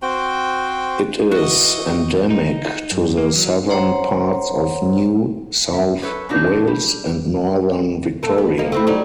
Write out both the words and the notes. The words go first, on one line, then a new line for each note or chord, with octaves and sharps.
It is endemic to the southern parts of New South Wales and northern Victoria.
C4 F#4 C5 G5
E3 F#4 D#5 C#6
D#4
F#2
A#3
F#3
C5 C#5 F#5 A#5 C6
E5
A4 B4 C#5
A#2 C#3 D4 D#4 F#4
G3
A3 A4
B3
A#3 D#4
A3 C4 E4
F#3 G3 D#4